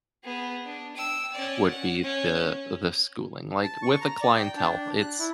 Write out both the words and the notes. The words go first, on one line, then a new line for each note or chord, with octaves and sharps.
would be the the schooling. Like, with a clientele, it's
B3 G#4
D4
G5 E6
C#4 D5
F#5
C#4
A5
C#6
A#5
D5
G5
D4
F#6
E4